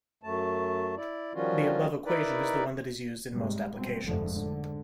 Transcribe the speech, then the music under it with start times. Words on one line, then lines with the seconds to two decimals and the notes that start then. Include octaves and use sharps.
The above equation is the one that is used in most applications.
0.23 F#2 A3 A5
0.97 E4 D5
1.34 D#3 F3 G3 C#4 F4 F#4
2.06 D#4 E4 A#4 B4 D5
3.31 G#2 C3 G3 G#3
3.74 B2 C4
4.04 F1 G2 D3 F3 G#3 A3
4.34 G#2 D3